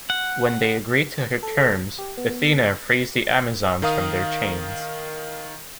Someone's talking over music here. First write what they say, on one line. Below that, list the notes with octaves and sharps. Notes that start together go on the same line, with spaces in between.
When they agree to her terms, Athena frees the Amazons from their chains.
F#5
A4
G4
B3
D#3 A#4 F5 D#6